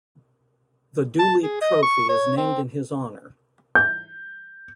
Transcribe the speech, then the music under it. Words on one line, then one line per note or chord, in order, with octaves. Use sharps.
The Duleep Trophy is named in his honour.
A5
G#4
D#5
C#6
C#5
C4
G6